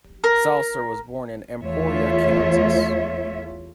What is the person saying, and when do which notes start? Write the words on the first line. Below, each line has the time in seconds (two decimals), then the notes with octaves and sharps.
Salser was born in Emporia, Kansas.
0.24 A#4
1.61 E2 A3 F4 C#5 E5